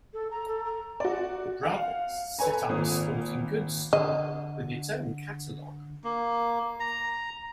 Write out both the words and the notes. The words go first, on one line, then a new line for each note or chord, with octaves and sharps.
The brothers set up a sporting goods store with its own catalog.
A4
A#5
A4
A#5
F#4 D5
F5 F#5
A4 B4 C#5 G#5 A#5
G#1 A#2 D#6
D3 D#5
A#3
A#5